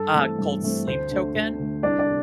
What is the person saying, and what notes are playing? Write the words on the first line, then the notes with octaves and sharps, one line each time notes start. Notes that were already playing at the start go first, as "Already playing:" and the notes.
uh, called Sleep Token.
Already playing: G2 A4 A5
E3 A3 C4
G2
E3 A3 C4
D2 C5
D3 A3
D2
D3 A3
C2 D4 D5
D4 D5
C3